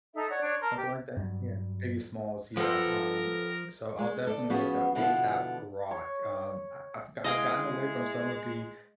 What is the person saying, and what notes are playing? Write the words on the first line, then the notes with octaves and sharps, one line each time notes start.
Something like that, yeah Biggie Smalls, yeah, um, so I'll definitely look up Aesop Rock, um, I I've I've gotten away from some of the,
D#4 A4 E5
C#5 D5 F#5
D4 C#5
A#4 A5 C6
G4
G2 F#3 G3
F3 B3 C4 A4 A#4
G#3
A4 D5
F3 B3 C#4 F#4 G#4 B4
B2 D3 F3 B3 E4 F4
C#5
G#3 E4 G#4 D#5 F5 G5